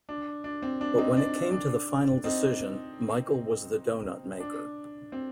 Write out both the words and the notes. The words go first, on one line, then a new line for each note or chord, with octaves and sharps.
But when it came to the final decision, Michael was the donut maker.
D4
D4
C4
D4
C4 D#4
D4
D4
C4 D#4
D4
C4